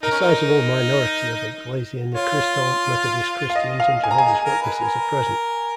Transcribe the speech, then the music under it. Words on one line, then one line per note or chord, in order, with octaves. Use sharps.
A sizeable minority of Iglesia ni Cristo, Methodist Christians, and Jehovah's Witnesses are present.
D#4 A#4
C#4
D#4
F4 C#5
F5
D#5
F5
G#5
A#5
G#5
G#4
A#4
B4
A#4